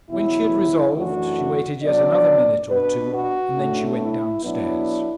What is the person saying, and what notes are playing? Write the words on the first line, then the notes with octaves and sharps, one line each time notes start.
When she had resolved, she waited yet another minute or two, and then she went down-stairs.
E2 B2 F#3 E4
F#2 E3 A3 D4 F#4
B2 F#3 D4 D5
B2 B3 D4 B4
F#4
A2 A3 D4
E4
B2 F#3 B3 D4 E4